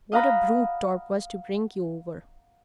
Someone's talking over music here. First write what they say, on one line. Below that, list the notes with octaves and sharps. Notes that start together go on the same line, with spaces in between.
What a brute Torp was to bring you over.'
D#5 F5 F#5 A#5 B5